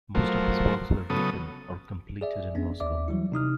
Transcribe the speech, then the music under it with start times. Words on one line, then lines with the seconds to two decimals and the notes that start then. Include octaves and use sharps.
Most of his works were written or completed in Moscow.
0.15 F3 F#3 A3 A#4 C5
1.10 C#3 F#3 B3 A4 D#6
2.21 G#4 D5 E5
2.55 F2 B3 C#4 D4
2.80 D#2 D5 E5 D6
3.08 E3 F#3 G3 E4
3.32 C3 D#4 D#6 F6